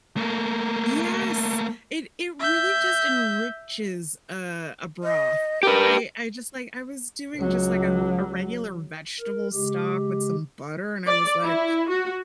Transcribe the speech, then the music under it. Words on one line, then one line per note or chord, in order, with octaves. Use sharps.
Yes, it it really just enriches, uh, a broth. I I just like I was doing just like a v a regular vegetable stock with some butter, and I was like,
A3 A#3
E5 G6
D#5
G4 A#4 B4
C#2 F#3
A#4
C#3 G#3 G4
D5
E4
F#4